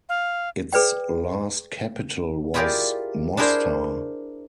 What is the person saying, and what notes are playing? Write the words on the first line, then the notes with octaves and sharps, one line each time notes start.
Its last capital was Mostar.
F5
G#4 B4 D5 G5
E4 F4 G4 G#4 A#4 D5
D4 E4 G#4 A#4 C5